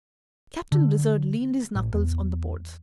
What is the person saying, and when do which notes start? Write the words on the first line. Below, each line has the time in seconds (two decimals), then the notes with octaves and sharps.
Captain Blizzard leaned his knuckles on the boards.
0.72 D3
1.75 A1
1.93 E2